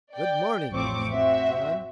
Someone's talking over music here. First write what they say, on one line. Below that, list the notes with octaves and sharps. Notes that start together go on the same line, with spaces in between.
"Good morning," said Uncle John.
D5 G5
A1 F2 A2 C4 C#6 D6
C4 F#4 E5